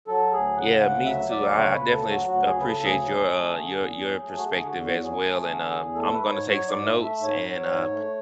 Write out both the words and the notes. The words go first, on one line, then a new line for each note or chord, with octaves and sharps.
Yeah, me too, I I definitely as appreciate your, uh your your perspective as well, and, uh, I'm gonna take some notes and, uh,
F#3 A4
D2 G#4
C#3 F#5
D2 F#5
F#3 E5
D2 D5
C#3 C#5
B4
D2
A4
F#3
F#4
D2 F#4
G#4
C#3
B4
A4
D2
G#4
F#3
A3
D3
E2
F#3
A3
F#4
D3 G#4
F#4
E2
F#4
F#3
G#4
A3
D3
E2
A3 A4
B4
G#2
C#5
F#3
C#5
G#2 D5
E5
A3
E5
G#2
C#5
F#3
G#2
A3